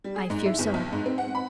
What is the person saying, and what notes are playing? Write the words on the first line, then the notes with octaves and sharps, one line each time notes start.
"I fear so."
G3
G#4
G#2
E4
G1
B1
G#2
C4
F#5
B5